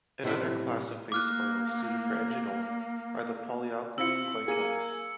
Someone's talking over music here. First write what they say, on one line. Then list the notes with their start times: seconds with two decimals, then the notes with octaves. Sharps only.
Another class of base oils suited for engine oil are the polyalkylene glycols.
0.23 B1 A2 C3 E4 C5 E5
1.12 A#3 D6 F6 F#6
3.98 C4 E4 F4 E6 C#7
4.48 A#3 G#4 D#7